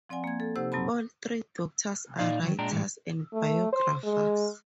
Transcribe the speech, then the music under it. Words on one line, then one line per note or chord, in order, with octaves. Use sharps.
All three daughters are writers and biographers.
F3 C4 D5 F#5 G#5
A#3 G#6
A4
C3 D#4 G4 C5 F#5 E6
F#2 B2 F#3 C4 A5 B5
A#2 D#4 D5 F5
D#3 F#3
A#2 G#3 D4 G5 A#5
A2 E3 G#3
A3
C5
G#3